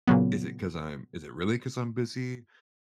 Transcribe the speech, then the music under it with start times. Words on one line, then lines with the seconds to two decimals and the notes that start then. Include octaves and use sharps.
is it 'cause I'm is it really 'cause I'm busy,
0.08 A#2 C#3 F#3 B3